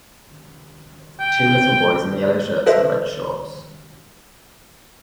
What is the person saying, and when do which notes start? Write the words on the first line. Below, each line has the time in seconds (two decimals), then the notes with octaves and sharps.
Two little boys in yellow shirts and red shorts.
1.20 G5
2.66 A4 B4 C5 D#5 E5